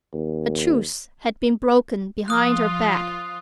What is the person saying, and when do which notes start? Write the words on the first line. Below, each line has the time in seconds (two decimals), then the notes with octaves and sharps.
A truce had been broken behind her back.
0.14 D#2
2.28 F3 F4 D#6 F#6